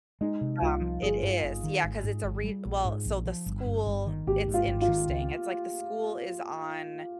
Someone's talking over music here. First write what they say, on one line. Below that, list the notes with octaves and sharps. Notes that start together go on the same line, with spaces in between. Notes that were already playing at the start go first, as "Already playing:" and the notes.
Um, it is. Yeah, 'cause it's a re well so the school it's interesting, it's like the school is on,
G#3 D#4
C3
C2 F4
F3
G1 G#4
G2
G1
D#3
G#1
G#2
G#1
G3
A#1
G#2
A#1
F3
G1
G2
G1
D#3
G#1 G4
G#2
F4
G#1
F4
D#3
C#2